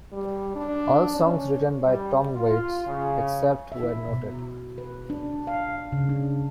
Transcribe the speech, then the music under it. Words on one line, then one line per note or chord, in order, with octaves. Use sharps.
All songs written by Tom Waits, except where noted.
G3
D4
C#4
G3
F4
C#3
E5
E4
B2
B4
D4
F5
C#3
D4